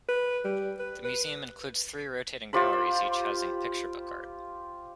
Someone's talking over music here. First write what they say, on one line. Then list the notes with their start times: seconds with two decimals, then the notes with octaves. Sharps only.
The museum includes three rotating galleries, each housing picture book art.
0.09 B4
0.45 G3
0.79 B4
1.05 B4
2.53 F4 G4 C5 B5